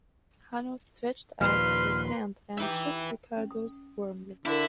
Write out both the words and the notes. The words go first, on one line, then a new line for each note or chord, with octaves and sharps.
Hanaud stretched out his hand and shook Ricardo's warmly.
D#2 A#2 F3 B4 C6 F6
D#4 E4 G4 B4 E5
C#4
D#6
D3 E4 A#4 F5